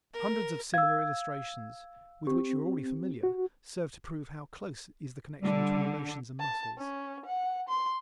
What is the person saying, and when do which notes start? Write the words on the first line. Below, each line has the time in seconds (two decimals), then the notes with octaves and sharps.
Hundreds of similar illustrations with which you are already familiar serve to prove how close is the connection between emotions and muscles.
0.13 A#4
0.74 F5 E6 G#6
2.27 C4 G4
3.23 F#4
5.42 D3 G3
6.39 A5
6.78 C#4
7.26 F#5
7.69 C6